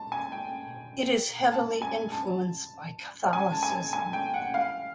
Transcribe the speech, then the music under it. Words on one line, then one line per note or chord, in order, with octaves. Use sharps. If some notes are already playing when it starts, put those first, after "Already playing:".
It is heavily influence by Catholcisim.
Already playing: A5
G#5
G5
A5
G#5
A5
G#5
A5
G#5
G#5
G5
F#5
F5